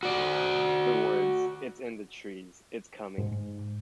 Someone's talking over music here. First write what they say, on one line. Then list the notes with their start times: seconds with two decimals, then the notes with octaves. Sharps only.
The words it's in the trees, it's coming!
0.03 F#4 D5
3.18 G#2